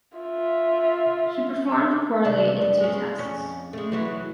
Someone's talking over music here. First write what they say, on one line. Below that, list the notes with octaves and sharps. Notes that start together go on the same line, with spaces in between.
He performed poorly in two tests.
F4 E5
D#2 C3 D4
F2
G#3 C#4
F2 C#4
G#3 A3
E3 F#3 E4